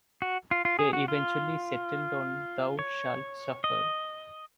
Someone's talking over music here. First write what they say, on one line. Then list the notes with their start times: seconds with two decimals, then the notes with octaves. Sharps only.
They eventually settled on Thou Shalt Suffer.
0.22 F#4
0.51 F4
0.65 F4
0.79 G#4
0.93 F#4
1.08 F4
2.79 C#5
3.64 D#5